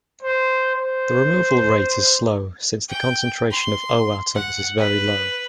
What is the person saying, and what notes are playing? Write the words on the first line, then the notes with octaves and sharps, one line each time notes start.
The removal rate is slow, since the concentration of O atoms is very low.
C5
C5
G5
C6
F#5
B4